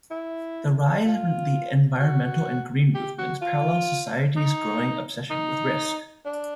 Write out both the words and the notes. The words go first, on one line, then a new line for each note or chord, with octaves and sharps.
The rise of the environmental and green movements parallels society's growing obsession with risk.
E4
F4
F#4
G4
F#4
F4
D#4
D#4
D4